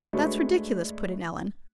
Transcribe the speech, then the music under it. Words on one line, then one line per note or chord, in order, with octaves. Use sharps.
"That's ridiculous!" put in Ellen.
G#3 A3 D4 F#4 B4 C#5